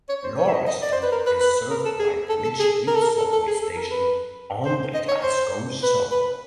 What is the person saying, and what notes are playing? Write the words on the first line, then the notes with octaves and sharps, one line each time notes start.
Laurieston is served by Bridge Street subway station on the Glasgow Subway.
C#5
C5
C#5
E5
D#5
D#5
D5
C5
B4
A#4
B4
B4
A#4
A4
G#4
A4
A4
G#4
A#4
A4
A#4
A4
A4
G#4
A4
A#4
B4
C5
D#5
C#5
C5
B4
B4